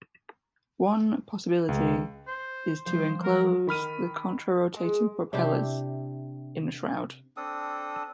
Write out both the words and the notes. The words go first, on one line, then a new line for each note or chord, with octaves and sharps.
One possibility is to enclose the contra-rotating propellers in a shroud.
C#2
C5
F3 G3 C5
A#4
D#3 B5 F6 D#7
G#3
C3 D4 E4 G4
C4 D4 A4 D#6